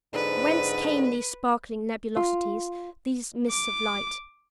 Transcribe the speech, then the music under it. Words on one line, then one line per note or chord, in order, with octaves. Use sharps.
Whence came these sparkling nebulosities, these mists of light?
F2 G#2 D3 B4
F4
D6